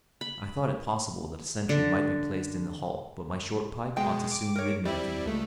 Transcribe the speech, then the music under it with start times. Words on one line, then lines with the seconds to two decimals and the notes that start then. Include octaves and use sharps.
I thought it possible that a sentry might be placed in the hall, but my short pike ought to soon rid me of him.
0.21 B5
1.69 D3
3.97 B2 G#3 G5
4.32 D6
4.56 A#4 C#5
4.85 G3 C4 E4 D5
5.26 C#2 A3